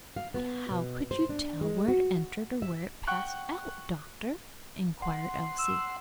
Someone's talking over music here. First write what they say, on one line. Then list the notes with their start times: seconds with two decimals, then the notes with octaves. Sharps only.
"But how could you tell where it entered or where it passed out, doctor?" inquired Elsie.
0.16 F5
0.34 B3
0.71 B2
1.11 C5
1.29 D4
1.61 G#3
1.88 F#4
2.62 E5
3.08 F#5 G5 C#6 F#6
5.02 F#5 C6
5.59 E6